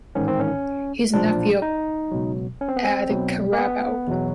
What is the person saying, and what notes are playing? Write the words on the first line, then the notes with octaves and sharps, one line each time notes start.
He is the nephew of Aed Carabao.
A1 G#2 D#3 C#4
C4
C#4
B1 A#2 F3 D4
D#4
C#2 B2 F#3
C#4
C4
B3
C4
B1 B2 F#3
A#3
B3
E2 B2 F#3